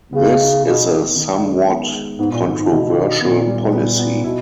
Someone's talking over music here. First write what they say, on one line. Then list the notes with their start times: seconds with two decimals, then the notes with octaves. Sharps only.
This is a somewhat controversial policy.
0.13 C#3 B3
0.39 D#4
0.64 B2 D#4
0.90 B3
1.16 D#3
1.42 G#3
1.68 B3
1.93 G#3
2.18 G#2 B3
2.31 A#2
2.44 G#2 D#3
2.57 G#2
2.70 B2 D#3
2.96 D#3
3.21 A#2 B3
3.47 G3
3.73 B3
3.99 B3
4.24 B2 E4